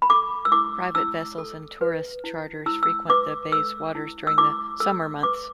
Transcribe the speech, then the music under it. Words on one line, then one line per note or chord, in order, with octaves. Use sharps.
Private vessels and tourist charters frequent the bay's waters during the summer months.
B5
A4 D6
E6
E4 D6
E4 E6
A4
B4
E4
E4 E6
E6
B4 D6
A4 E6
E4
E6
E4 D6
A4 E6
B4 D6